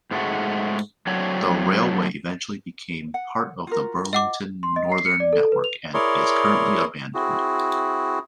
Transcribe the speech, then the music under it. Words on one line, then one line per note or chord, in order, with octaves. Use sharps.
The railway eventually became part of the Burlington Northern network and is currently abandoned.
G#2 G#3 A3 F#4
F#3 A3 C4 D4 F#4 C#5
F#5
F4 F#4 A#4
D#5 F#5 D6
C6
D#5
C7
C#7
D5
A4
B4
F7
E4 G#4 A#4 C#5 D5 C6
C4 E4 F#4 G#4